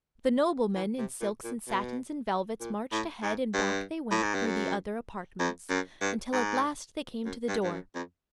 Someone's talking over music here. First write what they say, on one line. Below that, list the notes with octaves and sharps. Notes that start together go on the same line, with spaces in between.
The noblemen, in silks and satins and velvets, marched ahead, and back they went through the other apartments, until at last they came to the door.
E3
C3
A#2
A#2
B2
A#2
A2
G#2
G2
A2
G#2
G2
F#2
F2
F#2
G2
G#2
F#2
G2
G2
F#2
F2